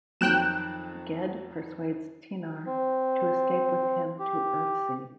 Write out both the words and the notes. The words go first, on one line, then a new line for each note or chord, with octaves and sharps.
Ged persuades Tenar to escape with him to Earthsea.
F2 D#3 F#3 G5 F#6 E7
C4
G4